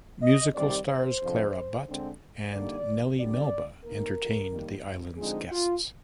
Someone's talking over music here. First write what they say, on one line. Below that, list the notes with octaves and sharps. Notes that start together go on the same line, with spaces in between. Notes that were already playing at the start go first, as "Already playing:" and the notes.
Musical stars Clara Butt and Nellie Melba entertained the island's guests.
D#5
C3 D#3 G3 D5
C5
F2 D3 F3
D3 G#3 C4
D3 G3 A#3 D#4 D5
D3 G3 A#3 D5
D#3 A#3 D#4 A#4
D#3 G3 A#3
D3 F3 G#3 C4 D#4 G#4
F4